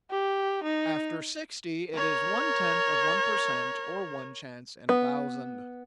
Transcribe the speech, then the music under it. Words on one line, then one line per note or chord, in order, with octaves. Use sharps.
After sixty it is one-tenth of one per cent, or one chance in a thousand.
G4
D#4
A#4 C#5
B3